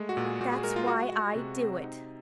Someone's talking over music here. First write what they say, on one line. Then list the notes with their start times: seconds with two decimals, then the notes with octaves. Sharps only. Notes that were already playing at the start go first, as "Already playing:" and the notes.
"That's why I do it."
Already playing: G#3 A3
0.09 F#4
0.17 A#2
0.24 G#4
0.41 A#2 F#4
0.52 G#4
0.64 G#3 A#4
0.76 F4
0.87 G#3 F#4
1.12 G#3
1.35 C3
1.59 C4
1.83 D#4